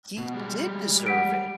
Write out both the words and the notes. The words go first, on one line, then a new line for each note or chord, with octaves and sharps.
He did deserve it.
B2
G3 G#3
F#5 B6 D7